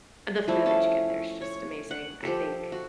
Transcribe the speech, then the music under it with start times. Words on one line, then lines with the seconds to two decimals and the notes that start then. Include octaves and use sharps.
the food that you get there is just amazing, I think.
0.48 F3 G3 A3 E4
0.66 C#4 A5
1.41 C#5
1.91 F#5
2.23 F3 G4 A4
2.72 F#4